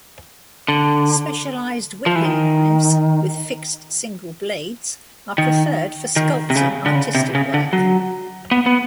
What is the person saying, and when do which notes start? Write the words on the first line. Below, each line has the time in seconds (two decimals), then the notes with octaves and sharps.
Specialized whittling knives, with fixed single blades, are preferred for sculpting artistic work.
0.68 D3
2.06 F3
2.16 E3
2.25 D#3
5.38 D#3
6.16 D#3
6.50 C3
6.56 C#3
6.86 D3
6.95 C#3
7.15 C3
7.35 C#3
7.54 D3
7.73 F#3
8.51 B3
8.66 B3